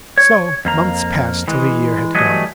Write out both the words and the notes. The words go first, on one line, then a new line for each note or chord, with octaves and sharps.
So months passed till a year had gone.
C#5
F2 A#3 A#5
E3 G#3
E3 F#3 G3 A3 G#4 D#5